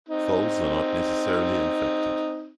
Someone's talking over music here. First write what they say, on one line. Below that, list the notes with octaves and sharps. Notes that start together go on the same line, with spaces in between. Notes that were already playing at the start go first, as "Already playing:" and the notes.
Foals are not necessarily infected.
C4 D#4